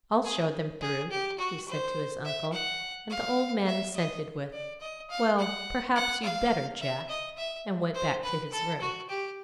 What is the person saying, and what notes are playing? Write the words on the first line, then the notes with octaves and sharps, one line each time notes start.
"I'll show them through," he said to his uncle; and the old man assented with, "Well, perhaps you'd better, Jack," and went back to his room.
G#4
G#4
G4
F#4
C5
E5
F#5
F5
E5
D#5
D5
D#5
F5
F#5
F#5
F5
E5
D#5
E5
C5
B4
A4
F#4
G4